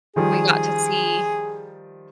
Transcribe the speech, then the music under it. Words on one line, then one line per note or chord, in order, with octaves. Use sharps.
we got to see
D#3 F3 G3 G#4